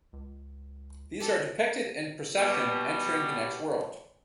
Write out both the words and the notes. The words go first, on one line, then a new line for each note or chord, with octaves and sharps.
These are depicted in procession entering the next world.
C#2
G4 A4
B2 G3